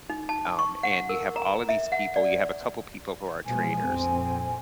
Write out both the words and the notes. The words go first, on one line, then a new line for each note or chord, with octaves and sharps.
um, and you have all of these people, you have a couple people who are traitors,
D#4
A5
C#6
F#5
A#4
A#5
E5
F#5
D5
B2 F3 G#3 G#5
A#1 F2 C4